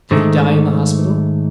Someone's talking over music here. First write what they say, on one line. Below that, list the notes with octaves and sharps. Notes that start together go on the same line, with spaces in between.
'Did he die in the hospital?'
G#2 D#3 A3